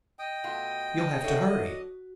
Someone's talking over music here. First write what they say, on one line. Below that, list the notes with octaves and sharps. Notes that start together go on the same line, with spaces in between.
"You'll have to hurry."
D#5 G5 D#6
B2 A3 F4
F#3 D4 A4 C#5 E5 F#5
F#4